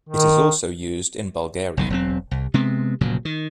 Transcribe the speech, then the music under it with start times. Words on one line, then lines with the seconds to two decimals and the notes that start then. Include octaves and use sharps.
It is also used in Bulgaria.
0.09 D#3
1.77 F#1 B1 D#3
1.90 E1 F#3 C4
2.31 C2
2.54 C3 G#3 B3 C4
3.01 F1 A#2 C#3 F#3
3.25 D#3